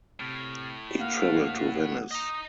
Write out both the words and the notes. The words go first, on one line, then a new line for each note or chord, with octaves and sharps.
He traveled to Venice.
A2 C3 F6
A#3 F5 F#5
D#5 A#5 D#6